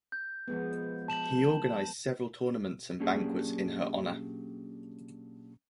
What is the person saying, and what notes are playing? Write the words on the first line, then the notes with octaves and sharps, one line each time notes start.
He organized several tournaments and banquets in her honor.
G6
F3 G#3 B3
A5 E7 F#7
F#3 A#3 C#4 D4 G4 G#4